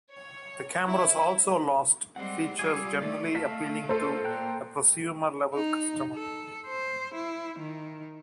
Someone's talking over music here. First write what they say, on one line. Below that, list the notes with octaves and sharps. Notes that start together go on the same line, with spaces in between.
The cameras also lost features generally appealing to a prosumer level customer.
C#5
E4 E5
G3 G#3 C4 F#5
G3 F4 G#4 D6 E6
A3 D5
D#5 F5 A5 B6
A#3 F4 A4 C5
A#2 A#3 G5 A#5 F#6
D#4
A4
C5
E4
D#3